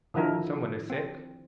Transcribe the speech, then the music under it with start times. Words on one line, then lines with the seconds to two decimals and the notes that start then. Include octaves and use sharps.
"Someone is sick?"
0.14 D3 D#3 F3 E4 A#4
0.90 C4